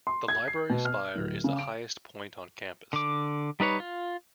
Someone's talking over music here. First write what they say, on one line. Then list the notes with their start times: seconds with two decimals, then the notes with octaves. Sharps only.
The Library spire is the highest point on campus.
0.07 C6
0.28 G#6
0.48 C7
0.70 B2
0.85 F6
1.16 D1
1.44 C#3
1.59 D7
2.93 D3 D6
3.60 G3 D#4 B4 C#5
3.80 F4